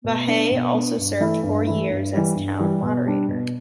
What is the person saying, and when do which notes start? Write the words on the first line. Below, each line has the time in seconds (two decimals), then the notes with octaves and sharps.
Vahey also served four years as town moderator.
0.04 B2
0.28 B3 D4
0.51 B2
0.74 B3 D4
0.97 G2
1.20 E3 A3 E4
1.43 G2
1.67 E3 A3 E4
1.89 G2
2.13 E3 G3
2.36 G2
2.59 E3 G3
2.82 B2
3.06 G3 D4
3.28 B2